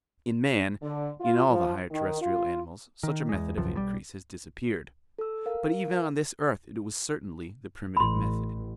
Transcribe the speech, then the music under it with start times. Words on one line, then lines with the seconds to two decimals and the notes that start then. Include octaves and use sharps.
In man, in all the higher terrestrial animals, such a method of increase has disappeared; but even on this earth it was certainly the primitive method.
0.82 D3
1.20 F4
1.50 F3
1.91 D#3
2.21 F4
3.03 D#3
3.29 E2 G#3
3.57 G#1 C#2 F#2 F3
3.74 B1 F3 G3
5.19 A4 E6
5.46 A#4 F5
7.97 A1 B5 C6